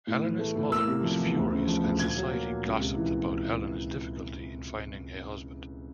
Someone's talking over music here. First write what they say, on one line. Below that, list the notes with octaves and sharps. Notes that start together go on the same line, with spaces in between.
Elena's mother was furious and society gossiped about Elena's difficulty in finding a husband.
A2
E3
A3
A2
A#3 E6
C3
F3
E2
D2
C#3
F3
D2
A#2 G#6
F#3
A#3
A#2
C#2
C3
E3